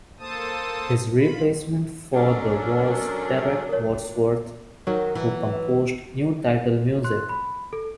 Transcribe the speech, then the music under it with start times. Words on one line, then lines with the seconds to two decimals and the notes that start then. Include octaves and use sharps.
His replacement for the was Derek Wadsworth, who composed new title music.
0.20 A#3 A4 C5 A5 D#6
1.19 F4 B5
2.13 F#3 C#4 D4 A4 A#4
3.69 A#4 C#5
4.87 D#3 F#3
5.15 E3
7.04 C6 F#6
7.29 B5
7.73 A4